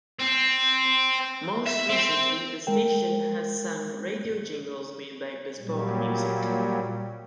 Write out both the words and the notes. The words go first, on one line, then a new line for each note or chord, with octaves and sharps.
Most recently the station had sung radio jingles made by Bespoke Music.
C4
E5
C4
G#3 A#4 G5
A#2 F#3 G3